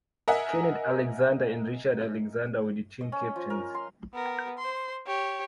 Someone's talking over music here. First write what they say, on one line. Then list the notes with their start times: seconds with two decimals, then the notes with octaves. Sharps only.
Kenneth Alexander and Richard Alexander were the team captains.
0.28 A#4 D#5 E5 F#5 G#5
3.01 D#5
3.12 C#4
3.36 F3
3.50 A#4
3.75 C6
4.14 B3 A#4
4.58 C5 C6
5.06 G4 C#5